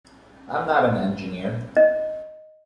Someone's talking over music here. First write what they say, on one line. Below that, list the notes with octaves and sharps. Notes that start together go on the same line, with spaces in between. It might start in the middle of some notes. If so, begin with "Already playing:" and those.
I'm not an engineer.
D#5